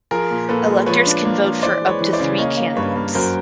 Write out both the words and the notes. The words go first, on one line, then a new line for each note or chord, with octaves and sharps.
Electors can vote for up to three candidates.
F3 G#4 A#4
A#2
A#2 A4 B4
G#3
F3 B4 C#5
D4
A#3
F3
E3 C5 D5
G#3
B4 C#5
E3
C5 D5
C#3
A#3 C#5 D#5
A#3
G2 B4 C#5
A#3
F#2 A#4 C5